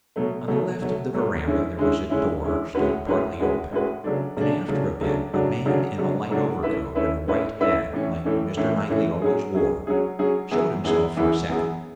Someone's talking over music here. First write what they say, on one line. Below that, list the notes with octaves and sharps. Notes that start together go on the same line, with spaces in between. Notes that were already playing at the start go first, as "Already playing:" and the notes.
On the left of the verandah there was a door stood partly open, and after a bit a man in a light overcoat and a white hat, like Mr. Knightley always wore, showed himself for a second.
B2 F#3 A3
B2 F#3 A3
B2 F#3 A3
B2 F#3 A3
D3 G#3 C#4 E4
D3 G#3 C#4 E4
D3 G#3 C#4 E4
D3 G#3 C#4 E4
A2 G#3 C#4 F#4 B4
A2 G#3 C#4 F#4 B4
A2 G#3 C#4 F#4 B4
A2 G#3 C#4 F#4 B4
C#3 F#3 A3 D4
C#3 F#3 A3 D4
C#3 F#3 A3 D4
C#3 F#3 A3 D4
C#3 F#3 A3 D4 F#4
C#3 F#3 A3 D4 F#4
C#3 F#3 A3 D4 F#4
C#3 F#3 A3 D4 F#4
A3 C#4 E4 B4 E5
A3 C#4 E4 B4 E5
A3 C#4 E4 B4 E5
A3 C#4 E4 B4 E5
A2 E3 A3 C#4
A2 E3 A3 C#4
A2 E3 A3 C#4
A2 E3 A3 C#4
F#3 C#4 G#4
F#3 C#4 G#4
F#3 C#4 G#4
F#3 C#4 G#4
F#2 E3 B3 E4 G#4
F#2 E3 B3 E4 G#4
F#2 E3 B3 E4 G#4
F#2 E3 B3 E4 G#4